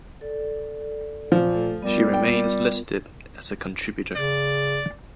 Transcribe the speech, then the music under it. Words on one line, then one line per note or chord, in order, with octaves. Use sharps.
She remains listed as a contributor.
A4 D5
A#2 F3
A3 A4
G3 B3 F4 A#4
G5
C#3 D5